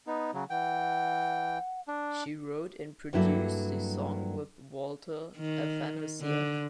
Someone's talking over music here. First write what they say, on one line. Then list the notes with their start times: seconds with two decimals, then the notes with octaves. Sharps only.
She wrote and produced the song with Walter Afanasieff.
0.07 B3 D#4
0.34 C#3 F#3
0.50 E3 F#5 G5
1.88 D4
3.13 G2 F#3 A#3 E4 F#4 A4
5.37 D#3
6.22 D3